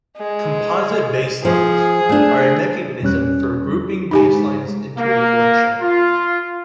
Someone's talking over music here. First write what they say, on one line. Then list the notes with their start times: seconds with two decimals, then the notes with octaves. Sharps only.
"Composite baselines" are a mechanism for grouping baselines into a collection.
0.17 G#3
1.45 F3 G#4
2.09 A3 D4
3.02 E2 G3 C#4 F#6
4.11 G#2 D#4 G4 G#5
4.98 A#3
5.81 F4